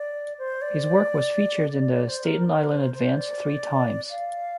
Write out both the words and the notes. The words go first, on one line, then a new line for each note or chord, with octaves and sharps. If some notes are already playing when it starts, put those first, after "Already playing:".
His work was featured in the "Staten Island Advance" three times.
Already playing: D5
C5
D5
D5
D5
C5
A#4
A#4
C5
C5
D5
F5